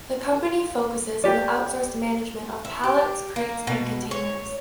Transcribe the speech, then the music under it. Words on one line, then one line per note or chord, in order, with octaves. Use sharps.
The company focuses on the outsourced management of pallets, crates and containers.
G4 D5
E4
G4
A#3
B2
C#5